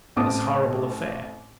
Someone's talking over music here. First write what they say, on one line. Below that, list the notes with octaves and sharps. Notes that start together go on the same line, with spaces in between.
This horrible affair.
A1 A2 C4 A5 D6 D#6